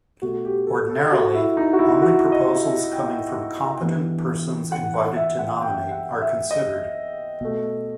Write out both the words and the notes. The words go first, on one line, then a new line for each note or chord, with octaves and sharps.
Ordinarily, only proposals coming from competent persons invited to nominate are considered.
B2 A3 F#4
G4
A4
A4
F#4
E4
D#4
F#4
E4
F#4
D#5
E5
G5
G2 E3 B3
F#5
F#5
E5
F#5
G5
F#5
E5
D#5
B2 A3